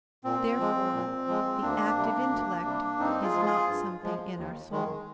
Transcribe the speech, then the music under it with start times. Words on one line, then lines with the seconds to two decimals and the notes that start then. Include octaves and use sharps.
Therefore the active intellect is not something in our soul.
0.24 A#2 C4
0.59 F3 G#3
0.93 A#2
1.27 F3 G#3
1.62 D2 A#3 D4
1.96 C3 G3
2.30 D2
2.65 C3 G3
2.99 G2 C4 D#4
3.22 F4 G#4
3.34 F3 G#3
3.45 F4 G#4
3.68 G2
4.03 F3 G#3
4.37 D#2
4.72 D#3 G#3